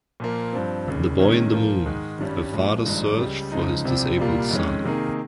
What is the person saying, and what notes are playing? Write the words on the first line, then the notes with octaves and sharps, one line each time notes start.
The Boy in the Moon: A Father's Search for His Disabled Son.
A#2 F3 A#3
G2 F3 C4
F1 D#2 C#3
C3 D#3 G#3 C#4
A#2 F3 A#3
G#2 D#3 G#3
G#1 G2 G3 C#4
A#2 F3 G#3
G#1 G2 F3 G#3 D#4
C#2 C#3 G3
C#2 C#3 F3 G#3 D#4
C2 C3 F3 C4 G4
C2 A#2 G3 A#3 F4
F2 D#3 G#3 C#4
C3 D#3 A#3 D#4 G#4